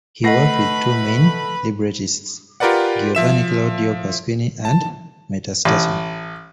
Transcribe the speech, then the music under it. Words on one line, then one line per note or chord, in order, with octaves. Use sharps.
He worked with two main librettists: Giovanni Claudio Pasquini and Metastasio.
A3 B4 D#5 F#5 B5 A#6 C7
F4 G4 A#4 B4 D5 F#5
F3 E5 E7
A5
A1